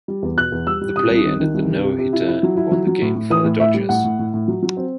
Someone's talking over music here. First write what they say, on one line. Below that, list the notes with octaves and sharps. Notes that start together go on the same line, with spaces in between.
The play ended the no-hitter and won the game for the Dodgers.
G3
E2
B2 F#6
E2
G3 E6
G3
C3 D#6
C2
D#3
D#3
C2
C3
C3
C3
E4
E4
F#3
E4
F#3
F#3
A2
A2
E3 D#6
A2
A2 E5
G3
A2 F#5
A2
A2
A2
F#3
F#3
C4